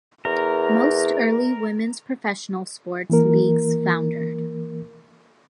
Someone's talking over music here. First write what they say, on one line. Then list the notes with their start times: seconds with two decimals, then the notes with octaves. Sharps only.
Most early women's professional sports leagues foundered.
0.25 E2 A#4
3.10 E3 A#3 A#4